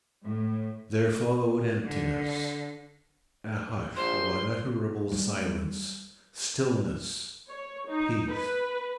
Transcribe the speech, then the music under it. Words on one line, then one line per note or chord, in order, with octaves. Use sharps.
There followed emptiness--a hush of unutterable silence, stillness, peace.
A2
D3
A#1 C5 C6
G3 A3
C#5
D#4
B4